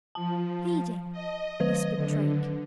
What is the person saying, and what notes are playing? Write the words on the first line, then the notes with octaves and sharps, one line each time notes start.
"Feeding!" whispered Drake.
F3 A5
D#5
D#3 F#3 B4
D3